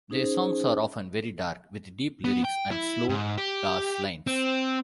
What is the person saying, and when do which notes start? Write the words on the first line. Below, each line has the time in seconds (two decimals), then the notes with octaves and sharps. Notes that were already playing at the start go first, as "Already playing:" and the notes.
Their songs are often very dark, with deep lyrics and slow bass lines.
0.10 C#4 D#4 G#4 C5
2.24 B3
2.45 G5
2.71 E4
3.09 G#2
3.38 G4
4.27 C4